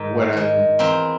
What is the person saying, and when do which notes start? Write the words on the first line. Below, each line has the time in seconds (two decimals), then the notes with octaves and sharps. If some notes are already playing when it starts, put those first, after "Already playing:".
when I'm,
Already playing: G#2 D#3 G#3
0.33 D#3 G#3
0.79 E2 A#3 C4